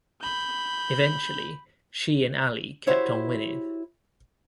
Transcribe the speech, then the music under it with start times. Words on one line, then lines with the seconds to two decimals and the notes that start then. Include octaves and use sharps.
Eventually, she and Ali kept on winning.
0.22 B5 G6
2.87 E4 F#4 G4 C5 C#5 E5